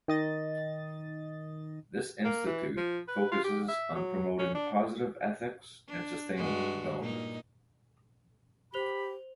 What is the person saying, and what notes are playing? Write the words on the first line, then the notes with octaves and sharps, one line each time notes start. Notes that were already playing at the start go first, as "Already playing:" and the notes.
This institute focuses on promoting positive ethics and sustainable development.
D#3 D#5 A6
A#3
E3
F3
B4
F4
G4
E5
F#3
C#4
D4
D4
G2 G#3 F#4
A#2 D#4
G4 C5 B5 F7 G7